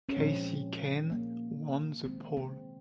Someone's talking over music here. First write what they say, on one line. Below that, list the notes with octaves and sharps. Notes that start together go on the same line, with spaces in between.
Kasey Kahne won the pole.
C#4
A#2 F3 G#3 C4
A#3
D#3 G#3 C4
C4